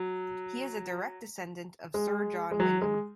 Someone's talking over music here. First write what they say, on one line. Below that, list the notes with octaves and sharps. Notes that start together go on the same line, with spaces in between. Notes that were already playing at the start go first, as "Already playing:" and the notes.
He is a direct descendant of Sir John Wyndham.
Already playing: F#3
G#3
G#3
F#3
G#3